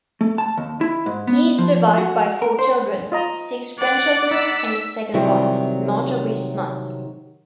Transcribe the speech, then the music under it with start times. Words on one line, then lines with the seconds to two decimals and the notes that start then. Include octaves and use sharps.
He is survived by four children, six grandchildren, and his second wife, Marjorie Smuts.
0.21 A3
0.38 A5
0.57 D#2
0.81 E4
1.06 G#2
1.27 B3
1.58 F3
1.98 F#4
2.42 A#4
2.59 C5
3.12 F4 D#5 A#5
3.79 D5 F#5
4.31 D#4 E6 B6
5.14 C3 D#3 F#3 G3 E4